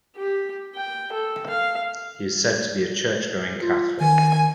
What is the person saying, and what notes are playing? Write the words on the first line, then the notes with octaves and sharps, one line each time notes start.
He is said to be a Church-going Catholic.
G4
G5
A4
F5
F4
D#3 G#5